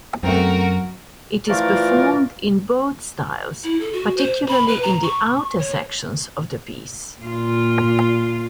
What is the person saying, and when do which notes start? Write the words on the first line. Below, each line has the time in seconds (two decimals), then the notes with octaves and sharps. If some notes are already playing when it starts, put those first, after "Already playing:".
It is performed in both styles, particularly in the outer sections of the piece.
0.23 F#2 A3 C4 F#4 A#4
1.49 E3 F3 A3 F4 A#4 D5
3.64 E4
3.81 A4
3.93 F#4
4.17 C5
4.48 B5
4.68 B4
4.82 A#5
5.03 C#6
5.59 C#5
7.21 A#2 F4